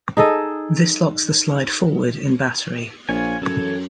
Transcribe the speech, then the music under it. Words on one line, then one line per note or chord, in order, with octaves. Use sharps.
This locks the slide forward in battery.
D#4 G#4 A4 D#5
A#1 F4 C#5 G#5
F#2 E3 A4 C#5